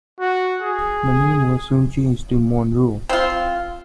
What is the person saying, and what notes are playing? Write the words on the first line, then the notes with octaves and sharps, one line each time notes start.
The name was soon changed to Monroe.
F#4
G#4
C4 F4